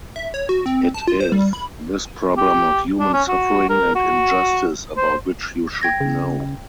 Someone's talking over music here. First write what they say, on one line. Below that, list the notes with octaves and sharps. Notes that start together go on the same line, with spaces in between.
It is this problem of human suffering and injustice about which you should know.
E5
C#5
F#4
C4
A5
F4
C5
G3
B5
G4
D4
C#4
F#4
A#4
F#4
C5
G5 G#6 A#6
C#3